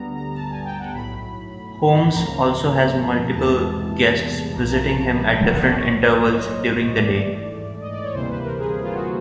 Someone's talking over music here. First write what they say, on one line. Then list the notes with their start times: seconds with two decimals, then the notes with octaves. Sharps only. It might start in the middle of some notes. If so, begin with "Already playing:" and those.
Holmes also has multiple guests visiting him at different intervals during the day.
Already playing: D2 D3 G3 B3 A#5
0.15 A#5
0.34 A5
0.50 G#5
0.65 G5
0.79 F#5
0.94 B1 A2 F#3 B5
2.04 B5
2.14 C#2 C#3 F3 A#3 A#5
2.75 A#5
3.30 A#5
3.34 E2 C3 E3 G#3 B3 A5
4.54 B1 A#2 F3 A#3 A#5
4.67 A5
4.78 A#5
5.15 B5
5.30 G5
5.45 F#5
5.60 D5
5.74 B1 A2 F#3 C#5
6.04 C5
6.34 D#5
6.94 G#2 E3 A3 D5
7.81 D#5
7.92 D5
8.03 C#5
8.14 D2 C3 E3 G3 A#3 C5
8.29 B4
8.44 A#4
8.59 G#4
8.82 F4
8.94 F#4